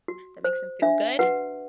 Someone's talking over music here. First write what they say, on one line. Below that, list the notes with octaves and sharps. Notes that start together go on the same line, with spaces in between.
that makes them feel good.
F#4
C5
D4 E5
F#4 B4 F#5